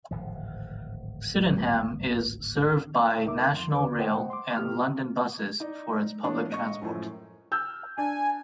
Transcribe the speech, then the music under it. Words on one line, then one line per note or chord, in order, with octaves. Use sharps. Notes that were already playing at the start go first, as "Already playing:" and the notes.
Sydenham is served by National Rail and London Buses for its public transport.
D1 G#1 F3
C#2 D#4 A#4 E5 D6
F2 C6
D#2 D3 B4 D6
C5 D#5 F#5 G5
C6 D6
B3 G4 F6
D#4 D5
E3 A3 B3 D4 C#5
G#2 D#5 C#6
F#2 A2 F3
E6 F6 G6
D4 G#5